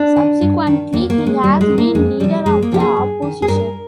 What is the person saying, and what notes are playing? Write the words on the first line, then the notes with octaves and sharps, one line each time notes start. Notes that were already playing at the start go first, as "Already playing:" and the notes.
Subsequently he has been Leader of the Opposition.
Already playing: D4
D#3
G2
D#3
D#2 A#3
A#3
D#3
G#3
D#2 G3
G#3
D#3
A#3
F2 G#3
C3 F3 G3
F2 G#3
A#3
C3 F3 G4
G#4
G2
D#3
G#4
G2 A#4